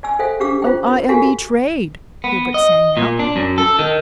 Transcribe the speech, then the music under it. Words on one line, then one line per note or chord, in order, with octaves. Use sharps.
"Oh, I am betrayed!" Hubert sang out.
D5 G#5 E6
A4 C5 E5 F5 G5
C#4 D4 G4 F5 D6 E6
F4 C5 G5
A#4 B4 B5 E6
F#4 G4 A4 A#4 F5 G#5
B3
D#5
A#2
D4
F#2
A4
D#3